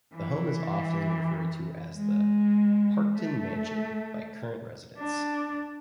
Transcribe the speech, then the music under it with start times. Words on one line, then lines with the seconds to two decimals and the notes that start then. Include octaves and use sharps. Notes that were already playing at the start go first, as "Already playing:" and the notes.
The home is often referred to as the Parkton Mansion by current residents.
0.14 E3
1.96 G#3
3.17 A3
4.98 D4